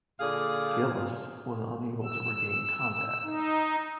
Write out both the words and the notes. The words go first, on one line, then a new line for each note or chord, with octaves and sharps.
"Gillis" was unable to regain contact.
A#2 D3 G#4 D5 F5
E6
D#4